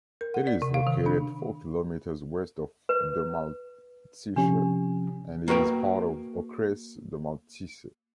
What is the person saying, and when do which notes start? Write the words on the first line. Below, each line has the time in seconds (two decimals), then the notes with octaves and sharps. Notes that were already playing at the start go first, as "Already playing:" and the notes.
It is located four kilometers west of Domažlice and it is part of Okres Domažlice.
0.21 A#4
0.34 F#5
0.47 D5
0.62 C3
0.74 F5
0.87 D#3
1.06 D4
2.89 B4
4.36 C3 F3 C#4 D4 G4
5.48 A#3 F#4 B4 G5